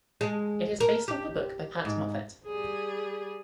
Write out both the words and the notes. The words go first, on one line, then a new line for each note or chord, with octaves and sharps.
It is based on the book by Pat Moffett.
G#3
A#4
G4
G#2
G3 G#4